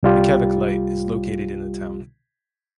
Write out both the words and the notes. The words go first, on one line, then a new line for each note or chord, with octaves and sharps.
The Kevich Light is located in the town.
C2 G3 F4 G4